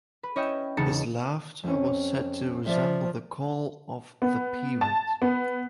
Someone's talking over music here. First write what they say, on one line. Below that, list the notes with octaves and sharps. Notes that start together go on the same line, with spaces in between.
His laughter was said to resemble the call of the peewit.
B4
C#4 E4 C#5 D#5 E5 G5
E1 C#3 D#4 A5 C#7
F2 C#4
F3 D5 E5
B3
A5
B3